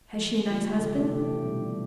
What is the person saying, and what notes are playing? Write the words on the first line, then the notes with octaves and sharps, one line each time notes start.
"Has she a nice husband?"
D3 F3 A3
D3 F3 A3 F4
G4
C3 E3 A3 A4
G4
C3 E3 A3 G4
B2 G3